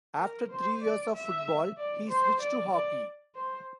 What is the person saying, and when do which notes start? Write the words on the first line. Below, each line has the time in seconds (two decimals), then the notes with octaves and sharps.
After three years of football he switched to hockey.
0.19 A#4
0.50 C5
0.82 D5
1.14 E5
1.77 D5
2.09 C5
2.41 D5
2.72 D5
3.35 C5